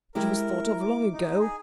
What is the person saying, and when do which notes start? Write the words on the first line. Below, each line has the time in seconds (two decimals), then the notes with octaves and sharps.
It was thought of long ago.
0.15 G#3 E4 G4 A#4
0.81 D6
1.13 D#4
1.40 G#4